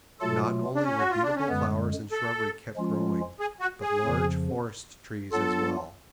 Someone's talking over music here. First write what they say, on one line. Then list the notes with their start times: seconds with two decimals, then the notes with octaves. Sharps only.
Not only were beautiful flowers and shrubbery kept growing, but large forest trees as well.
0.20 B2 F#3 A3 F4 A4
0.75 D4
0.84 C#4
0.99 F#4
1.11 F4
1.23 D4
1.36 C#4
1.48 F#2 D3 G#3 B3
2.12 A4
2.76 F3 G#3 C#4 F4
3.40 G#4
3.60 F#4
3.82 G#4
4.03 F2 C#3 F3
5.32 F#3 B3 D4 F4 A4